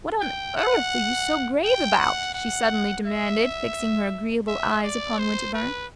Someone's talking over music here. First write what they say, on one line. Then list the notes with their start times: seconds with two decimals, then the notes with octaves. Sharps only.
"What on EARTH are you so grave about?" she suddenly demanded, fixing her agreeable eyes upon Winterbourne's.
0.21 G5
0.57 F#5
1.64 G5
2.00 F#5
2.34 F#5
3.06 E5
4.48 E5
4.84 D5
5.19 C5
5.54 B4